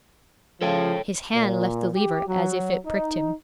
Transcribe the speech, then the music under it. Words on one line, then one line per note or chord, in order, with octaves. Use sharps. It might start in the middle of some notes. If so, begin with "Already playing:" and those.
His hand left the lever as if it pricked him.
C#3 F3 A4 C#5 G5
A#2
G4
F#3
D#4